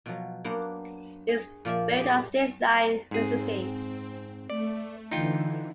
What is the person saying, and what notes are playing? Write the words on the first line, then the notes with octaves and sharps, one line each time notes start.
He is buried at State Line, Mississippi.
B2 F3 F#3
F#3 A#3 B3 D4 C5 F#5
G#4
A#2 F3 D5 E5
G4 G#4 D#5
G#2 C4 G#4
A3 D5
D3 E3 D#4 F4 G5